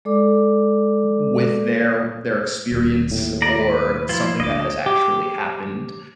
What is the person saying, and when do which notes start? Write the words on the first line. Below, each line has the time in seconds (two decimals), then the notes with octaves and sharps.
w with their their experience or something that has actually happened,
0.05 G#3 A4 D5 D6
2.72 D#1
3.11 D#2 A2
3.42 D5 A#5
3.59 B4
4.09 F3 E4 F4
4.40 D2 D#5 D6
4.86 G4